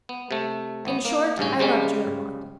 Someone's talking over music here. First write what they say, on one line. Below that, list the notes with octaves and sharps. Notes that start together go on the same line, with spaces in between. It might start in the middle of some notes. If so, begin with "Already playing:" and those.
In short, I loved you, Armand.
B3
C3 A3
G#1 B3
A#3
A1 G2 C#3 C#4
C#3 G3 G#3 C#4